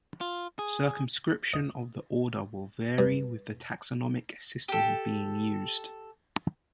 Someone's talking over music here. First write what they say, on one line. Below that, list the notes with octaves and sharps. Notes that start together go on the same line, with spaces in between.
Circumscription of the order will vary with the taxonomic system being used.
F4
G#4
D#5
G2
G4 A4